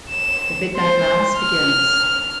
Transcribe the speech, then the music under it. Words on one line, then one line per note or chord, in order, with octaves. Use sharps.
The midnight mass begins.
E7
C5
F6